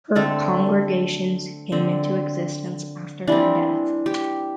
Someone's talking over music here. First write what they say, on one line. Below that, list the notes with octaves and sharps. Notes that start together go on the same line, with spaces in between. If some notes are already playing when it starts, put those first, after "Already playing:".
Her congregations came into existence after her death.
D3 A3 C4 A4
D3 C4
E3 G3 C4 D4
G4